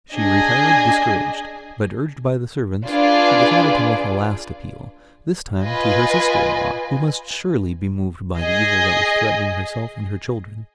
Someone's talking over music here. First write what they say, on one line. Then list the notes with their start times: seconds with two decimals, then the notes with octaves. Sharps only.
She retired discouraged, but, urged by the servants, she decided to make a last appeal, this time to her sister-in-law, who must surely be moved by the evil that was threatening herself and her children.
0.13 D4 G#4 D#5 G#5
2.87 D4 F4 G#4 B4 D5
5.63 F4 B4 D#5 G#5
8.38 G#4 D#5 G#5